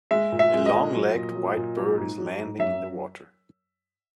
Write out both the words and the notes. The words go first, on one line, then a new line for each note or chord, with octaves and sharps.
A long legged white bird is landing in the water.
G#3 E5
A#2
E5
G#3
D#5
A#2
F#3
A#2
F#3
A#2
F#3
G#2
F#3
G#2
F#2 E5